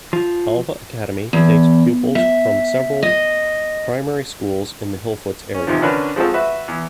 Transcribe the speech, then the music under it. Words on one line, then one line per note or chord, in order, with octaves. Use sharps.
Alva Academy takes pupils from several primary schools in the Hillfoots area.
F3
E2
E5
D#5
C#4
E2 C3 D#3 F3
D3 C#4 D4 F#4 A#4 B4
F3 G#3 C4 F4 F#4 A4
F#4 B4 E5
E2